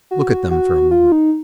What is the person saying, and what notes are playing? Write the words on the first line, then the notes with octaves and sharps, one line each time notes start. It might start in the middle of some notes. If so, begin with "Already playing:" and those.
Look at them for a moment.
F#4
F#4
F4
D#4